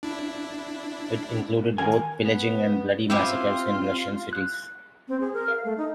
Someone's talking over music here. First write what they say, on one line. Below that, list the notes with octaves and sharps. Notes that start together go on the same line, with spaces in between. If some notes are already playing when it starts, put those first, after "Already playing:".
It included both pillaging and bloody massacres in Russian cities.
D4 E4
D#3 A#4 G#5
B3
C4 E4 F4 G4 G#5
F#6
C4
G#4
A#4
F5
A3
D#4